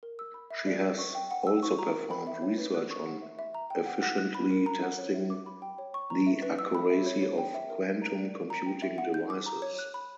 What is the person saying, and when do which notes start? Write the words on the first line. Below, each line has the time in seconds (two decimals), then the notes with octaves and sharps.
She has also performed research on efficiently testing the accuracy of quantum computing devices.
0.03 A#4
0.19 E6
0.34 B5
0.51 E5
0.67 D5
0.82 E6
0.99 C#6
1.15 G5
1.31 F#5
1.47 E6
1.63 C#6
1.79 A#5
1.95 A#4
2.11 B5
2.27 E5
2.42 C#5
2.58 B4
2.74 F#6
2.91 C#6
3.07 F#5
3.22 E5
3.39 E5
3.55 A#5
3.70 G5
3.86 F#5
4.02 F#5
4.18 F#6
4.35 B5
4.50 A#4
4.66 A#5
4.82 F#5
4.98 C#5
5.14 E5
5.30 D6
5.46 B5
5.62 G5
5.78 C#5
5.94 C#6
6.10 A#5
6.27 E5
6.42 B4
6.59 E6
6.75 B5
6.90 E5
7.06 C#5
7.22 C#5
7.38 G5
7.54 E5
7.70 A#4
7.86 A#4
8.02 A#5
8.18 D5
8.34 A#4
8.50 A#5
8.66 G5
8.82 E5
8.98 F#5
9.14 G6
9.30 D6
9.46 A#5
9.62 C#5
9.79 F#6
9.94 B5